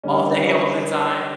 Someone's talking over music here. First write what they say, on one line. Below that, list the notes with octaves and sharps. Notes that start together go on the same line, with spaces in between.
all day, all the time?
D3 G3 C#4